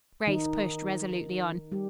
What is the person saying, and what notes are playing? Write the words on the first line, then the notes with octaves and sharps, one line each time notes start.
Grace pushed resolutely on.
D#3 D#4
G3 G4